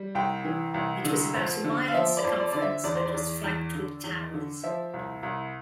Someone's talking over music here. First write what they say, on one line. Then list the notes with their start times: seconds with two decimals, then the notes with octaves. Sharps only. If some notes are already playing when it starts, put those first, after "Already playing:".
It was about a mile in circumference and was flanked with towers.
Already playing: G3
0.15 C2 G5
0.45 E3
0.74 C2
1.04 D3
1.35 F2
1.64 D3
1.88 F5
1.94 F3 E5
2.17 D5
2.24 F2
2.40 D5
2.53 D3 D5
2.62 E5
2.84 E2 D5
2.95 C5
3.06 D5
3.14 E2
3.44 E2
3.74 D3
4.04 E2
4.34 D3
4.64 F3 E5
4.94 C2
5.23 C2